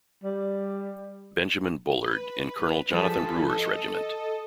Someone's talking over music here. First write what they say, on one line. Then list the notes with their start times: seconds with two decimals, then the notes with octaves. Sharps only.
Benjamin Bullard in Colonel Jonathan Brewer's regiment.
0.24 G3
2.02 B4
2.90 G2 F3 G#4 A4 A5 B6
3.48 A4 D#5